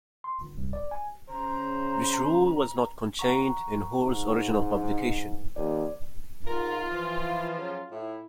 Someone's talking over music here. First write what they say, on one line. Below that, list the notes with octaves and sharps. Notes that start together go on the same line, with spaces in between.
This rule was not contained in Hoare's original publication.
C6
G1
C2
D5
G#5
C#3 C5 A#5
F#5 A#5 C#6
G#2
D#2 D5
G#2 F4 A#4
E3 F3
F#3 C#4 G#4
A2 E4